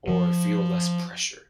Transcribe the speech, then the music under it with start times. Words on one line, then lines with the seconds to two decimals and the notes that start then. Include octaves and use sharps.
or feel less pressure?
0.08 F3